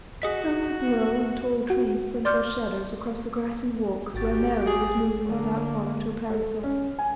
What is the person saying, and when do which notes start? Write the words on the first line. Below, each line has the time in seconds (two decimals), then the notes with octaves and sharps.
The sun was low, and tall trees sent their shadows across the grassy walks where Mary was moving without bonnet or parasol.
0.22 F#4 G#4 D#5 B6
1.70 F#4
2.25 D5 C6 D6 F6 G6
4.14 G#1 F#4 G4 A6
4.67 G#4
5.27 D3 A#3
6.30 A4
6.63 C#4
6.98 G#5